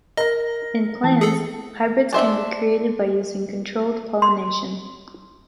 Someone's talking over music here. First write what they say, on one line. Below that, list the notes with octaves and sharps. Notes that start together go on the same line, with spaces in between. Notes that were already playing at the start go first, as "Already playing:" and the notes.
In plants, hybrids can be created by using controlled pollination.
A#4 D#5 A#6
E3 B3 A5
G#4 A4 C#7
D4 C5 E5
C6